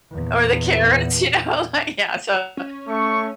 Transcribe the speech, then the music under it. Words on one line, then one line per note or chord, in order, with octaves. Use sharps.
or the carrots, you know, like, yeah, so
E2 A#2
C#4
A3 C#6